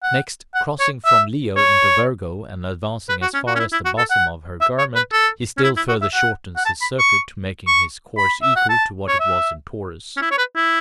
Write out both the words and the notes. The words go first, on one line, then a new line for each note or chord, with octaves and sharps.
Next, crossing from Leo into Virgo, and advancing as far as the bosom of her garment, he still further shortens his circuit, making his course equal to what it was in Taurus.
F#5
F#5
C#5
E5
C#5
B4
F#4
C#4
F#4
C#4
E4
E4
F#4
A4
F#5
E5
C#5
B4
A4
C#4
E4
E4
F#4
E5
F#5
F#5
A5
B5
C#6
C#6
B5
E5
F#5
A5
C#5
E5
C#4
E4
C#5
B4
E4